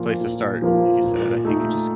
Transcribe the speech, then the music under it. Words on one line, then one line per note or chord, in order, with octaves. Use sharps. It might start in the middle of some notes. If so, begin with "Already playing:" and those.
place to start. Like you said, I think you just
Already playing: A#2 F3 A#3 F4
A#2
F3 A#3 F4
A#2
A3 D#4